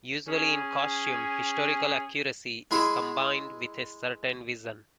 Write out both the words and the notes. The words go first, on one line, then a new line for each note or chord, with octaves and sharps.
Usually, in costume, historical accuracy is combined with a certain vision.
C#4 G#4
G#3 E4 G#4